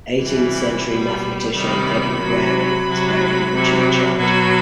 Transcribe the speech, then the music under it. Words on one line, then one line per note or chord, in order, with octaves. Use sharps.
Eighteenth-century mathematician Edward Waring is buried in the churchyard.
C3 E3 G3 B5
B2 G3
C3 D#3 G3 B5
C3 F#3
C3 F#3
C3 F#3
B2 F#3 B5